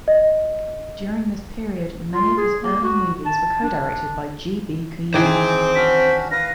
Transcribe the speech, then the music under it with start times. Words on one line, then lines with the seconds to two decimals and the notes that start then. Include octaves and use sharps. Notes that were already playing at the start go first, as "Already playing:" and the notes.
During this period, many of his early movies were co-directed by G. B. Kuyinu.
0.08 D#5
2.12 F4
2.38 G#4
2.63 A#3
2.83 F#4
3.26 A5
3.63 D4
5.14 D#3 E3 G#4 C5 G5 D6
5.75 C#4 D4 F#4 B6
6.31 B4 F5 A#6